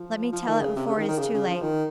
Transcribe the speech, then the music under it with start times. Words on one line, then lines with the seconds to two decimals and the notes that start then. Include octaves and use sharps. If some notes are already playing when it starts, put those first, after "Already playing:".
Let me tell it before it is too late!
Already playing: F3
0.33 F3
0.47 D#3
0.61 C#3
0.76 C3
0.86 C#3
0.97 D#3
1.09 D#3
1.19 C#3
1.34 C#3
1.48 F3
1.62 D#3